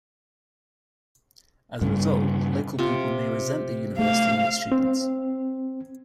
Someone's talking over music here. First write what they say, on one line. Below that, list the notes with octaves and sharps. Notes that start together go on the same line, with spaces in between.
As a result, local people may resent the university and its students.
G2 C#3
C3 F4
A3 F5
C4